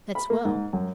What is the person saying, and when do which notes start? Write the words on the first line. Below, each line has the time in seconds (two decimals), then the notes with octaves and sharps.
"That's well."
0.15 B5
0.30 A#3
0.45 G#2
0.73 F#2